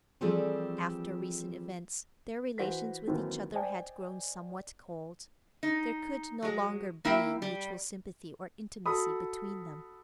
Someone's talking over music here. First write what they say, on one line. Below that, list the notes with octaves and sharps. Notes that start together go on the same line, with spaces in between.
After recent events, their relations with each other had grown somewhat cold; there could no longer be mutual sympathy or intimacy between them.
E3 F3 G3 C4 G#4 A4
E3 F#4 C5 B6
D#2 E3 F#3 C4
C5 D5 D#5 G5 G#5
D#4
F#3 G#3
A#3 E4 E5 G5
G3
F#4 A4 B5 D#6